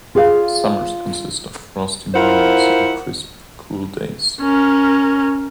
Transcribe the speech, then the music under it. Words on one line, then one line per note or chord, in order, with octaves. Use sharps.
Summers consist of frosty mornings and crisp, cool days.
F4 G#4 D5 F5
E4 F4 A#4 C5 F#5
C#4 A#4